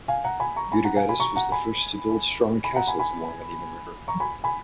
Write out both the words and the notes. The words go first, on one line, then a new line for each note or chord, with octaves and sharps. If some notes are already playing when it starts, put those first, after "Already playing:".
Butigeidis was the first to build strong castles along the Neman River.
F5 G#5
F#5 A#5
G#5 B5
A#5 C#6
G#5 B5
F#5 A#5
F5 G#5
G#5 B5
A#5 C#6
F#5 A#5
G#5 B5
G#5 B5
F#5 A#5
G#5 B5
G#5 B5
A#5 C#6
G#5 B5
G#5 B5